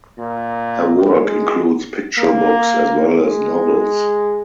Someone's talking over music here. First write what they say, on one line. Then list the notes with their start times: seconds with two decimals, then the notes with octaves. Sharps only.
Her work includes picture books as well as novels.
0.19 A#2
1.19 G#3
2.18 A#3
3.18 G#3